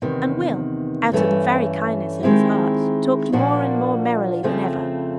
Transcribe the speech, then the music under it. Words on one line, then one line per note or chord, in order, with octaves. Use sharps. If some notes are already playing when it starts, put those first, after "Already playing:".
And Will, out of the very kindness of his heart, talked more and more merrily than ever.
E2 C3 D#3
G2 E3 A3 C#4
D#3 G#3 C4 E4 G4
A#2 F3 A#3 D4 F#4
F2 C#3 F3 A3 C4